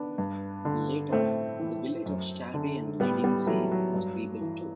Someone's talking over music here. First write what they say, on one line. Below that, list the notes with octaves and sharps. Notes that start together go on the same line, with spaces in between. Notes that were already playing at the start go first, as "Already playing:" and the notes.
Later, the village of Stari Ledinci was rebuilt too.
Already playing: B3 D4
G2
D3
A2 A3 C4
E3
F#2
D3
A2 G3 B3
G3 B3
E3 F#3 A3
F#3
G2
E3